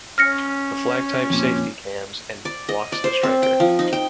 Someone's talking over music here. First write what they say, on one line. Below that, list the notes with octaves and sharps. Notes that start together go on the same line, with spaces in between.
The flag-type safety cams and blocks the striker.
C#4 F6 A#6 C#7
F2 A#2
D5
D#5
D5
C5
C4
G5
F3
D#4
G5